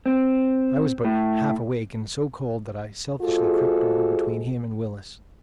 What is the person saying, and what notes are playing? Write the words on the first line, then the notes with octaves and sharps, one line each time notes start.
I was but half awake, and so cold that I selfishly crept over between him and Willis.
C4
A2
G#3 F4 F#4 G#4 A4 C5